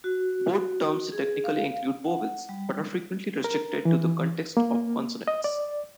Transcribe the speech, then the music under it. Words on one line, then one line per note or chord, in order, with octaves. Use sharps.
Both terms technically include vowels, but are frequently restricted to the context of consonants.
F#4
G#4
F5
F#5
G3
A#4
E3
A#3
D#5
D5